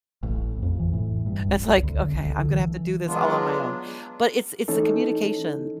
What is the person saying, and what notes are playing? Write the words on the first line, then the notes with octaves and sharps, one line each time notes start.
It's like, okay, I'm gonna have to do this all on my own, but it's it's the communication
A1
F2
E3
A2
G2
C2
D2
C2
D3
E3
F#3 G#3 B3 D4 F4
E3 A3 C#4 D#4 A4